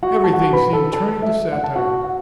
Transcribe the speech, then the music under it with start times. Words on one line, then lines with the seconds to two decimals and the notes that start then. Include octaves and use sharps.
Everything seemed turning to satire.
0.03 F#4 F#5
0.24 A5
0.33 F#4 F#5
0.53 B4 B5
0.73 A4 A5
0.93 A4 A5
1.22 E5
1.52 F#5
1.64 A5
1.75 F#4 F#5
2.04 F#5